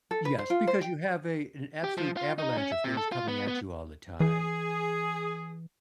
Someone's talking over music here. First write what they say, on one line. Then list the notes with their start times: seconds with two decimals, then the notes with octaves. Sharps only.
Yes, because you have a an absolute avalanche of things coming at you all the time.
0.11 A4
0.25 B4
0.39 C5
0.50 F4
0.67 C5
0.81 G5
1.84 G4
1.98 F3
2.17 F4
2.38 D#4
2.58 C#4
2.72 E5
2.84 C3
2.97 A4
3.12 F4
3.28 B3
3.48 B3
4.20 E3 G#4